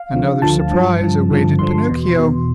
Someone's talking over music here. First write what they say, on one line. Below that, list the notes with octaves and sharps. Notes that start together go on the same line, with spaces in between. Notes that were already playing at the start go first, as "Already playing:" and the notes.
Another surprise awaited Pinocchio!
Already playing: F5
D2 D3 F3
D2 D3 F3 A5
G2 F3
G2 F3
G2 D3 F3
G2 D3 F3 C6
E2 B2
E2 B2